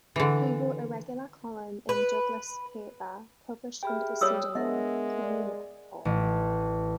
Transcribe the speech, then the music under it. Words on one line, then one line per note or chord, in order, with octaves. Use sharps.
He wrote a regular column in Douglass' paper, published under the pseudonym, 'Communipaw.
D3 E3
B4
G4 G#4 E5 G5 B5 F6
G3 C#5 D#6 E6
G#3 B3 D4 A#4 D#5 E5 F#5
D5
A1